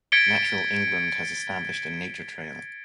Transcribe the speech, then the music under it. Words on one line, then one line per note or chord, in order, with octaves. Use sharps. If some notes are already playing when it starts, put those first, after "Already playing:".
Natural England has established a Nature trail.
G#6 A6 B6 C#7 D7 G7